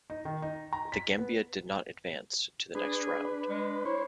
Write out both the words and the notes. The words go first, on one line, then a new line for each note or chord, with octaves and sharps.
The Gambia did not advance to the next round.
D#4
D#3
D#4
A#5
B6
B3
D4 G#4 B4
G#3
E4 C5 C#5